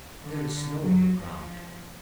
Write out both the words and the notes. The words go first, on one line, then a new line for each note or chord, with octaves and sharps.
There is snow on the ground.
D3
F#3
F3